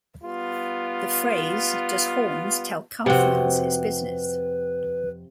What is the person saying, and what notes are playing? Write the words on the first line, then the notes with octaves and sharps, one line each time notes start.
The phrase Does Horne's tell Kaufmann's its business?
G3 B3 F4
F2 C3 C4 F#4 B4 F#5 G5